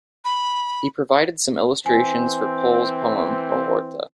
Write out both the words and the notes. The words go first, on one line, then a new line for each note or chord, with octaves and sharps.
He provided some illustrations for Pol's poem 'Mohorta'.
B5
E3 C4 G#5